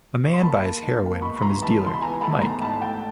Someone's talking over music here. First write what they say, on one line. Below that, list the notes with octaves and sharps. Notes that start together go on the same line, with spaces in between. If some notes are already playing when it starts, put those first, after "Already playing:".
A man buys heroin from his dealer, Mike.
C#6
C6
A#3 A5 B5
A#3
D#3
A#3
C#2 B5 C#6
B5
C#2 A#5 C6
E3 A5 B5
C#2 C6
B5
E3 G#5 A#5
A3 A5 B5
G#1 A#5 C6
G#2 A5 B5
A3 G5 A5